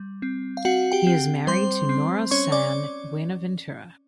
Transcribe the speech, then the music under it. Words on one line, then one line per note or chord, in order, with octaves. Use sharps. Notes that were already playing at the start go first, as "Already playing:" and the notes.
He is married to Nora San Buenaventura.
Already playing: G3
C4
F5
C4 F#4 F#5
G4 G5
C4
G3 C5 C6
C4
C#4 C#5 C#6
D5 D6